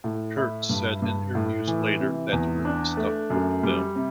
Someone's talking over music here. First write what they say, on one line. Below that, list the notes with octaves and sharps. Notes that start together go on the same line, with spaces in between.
Peart said in interviews later that the rhythm stuck with them.
A2
E4
G2
G2
A2
E3
C3
E2
D4
A3
F#2
G3
C3